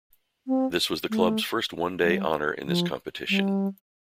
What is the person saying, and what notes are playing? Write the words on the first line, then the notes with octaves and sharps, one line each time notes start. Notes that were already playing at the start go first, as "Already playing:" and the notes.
This was the clubs first one day honour in this competition.
C4
A3
G3
F3
G3